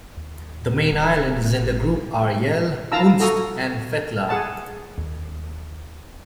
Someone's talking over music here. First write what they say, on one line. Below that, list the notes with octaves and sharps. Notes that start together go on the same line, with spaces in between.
The main islands in the group are Yell, Unst and Fetlar.
D#2
D1
G#1
E4 F4 F5 A5 A#5 E6
F#4 A4 A#5 D#6
G#4 F#5 A5
D#2